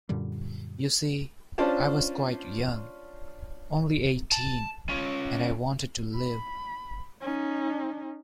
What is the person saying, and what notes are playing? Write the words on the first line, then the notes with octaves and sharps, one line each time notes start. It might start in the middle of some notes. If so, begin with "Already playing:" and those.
You see, I was quite young — only eighteen — and I wanted to live.
F#2 A#2 D3 G3
C#4 D4 F4 C5 D5 A5
A5
C#4 F4
B5
C#4 D#4